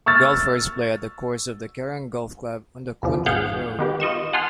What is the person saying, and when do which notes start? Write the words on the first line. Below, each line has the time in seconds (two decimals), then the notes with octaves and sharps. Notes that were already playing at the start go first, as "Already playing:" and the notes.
Golfers play at the course of the Kerang Golf Club on Koondrook Road.
0.06 C#6 E6 F6 A6
3.03 E2 C3 F3
3.26 G#1 G#4 F5 F#5 G6
3.79 D#3 B3 G4
4.00 F4 D#5 C#6 E7
4.33 F#5 G#5 A5 C6 D#6 F6